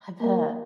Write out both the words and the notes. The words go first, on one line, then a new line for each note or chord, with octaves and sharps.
I bet.
A#3